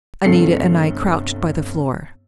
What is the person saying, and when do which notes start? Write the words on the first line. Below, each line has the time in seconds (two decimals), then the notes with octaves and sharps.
Anita and I crouched by the floor.
0.24 G1 C2 G2 A4 C7 C#7